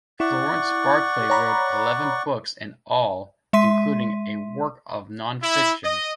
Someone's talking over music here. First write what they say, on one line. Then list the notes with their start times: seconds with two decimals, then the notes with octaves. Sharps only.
Florence Barclay wrote eleven books in all, including a work of non-fiction.
0.20 E4 D5 F#5 C#6
1.30 C#5 A#5 B5
3.53 G#3 E5 C6 B6 D#7
5.43 E4
5.84 D#5